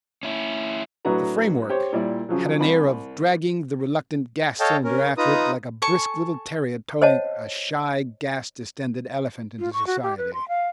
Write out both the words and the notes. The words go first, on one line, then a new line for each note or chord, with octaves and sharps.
The framework had an air of dragging the reluctant gas-cylinder after it like a brisk little terrier towing a shy gas-distended elephant into society.
C#4 E4
A2 F#3 D4 F#4 B4 A#5
G4 C5 C#5
A#2 G3 E4 D5
C#3 F3 F#3
C2 B5
A4 C#5 D#5 F5 G5 A5
C#4 A#4
D#4 F4 B4 A#5 D#6
A4 G#5 C#6
C5 C#5 D#5 F#5 A5
F4
C#6
F#4
G4
B4
C6
F5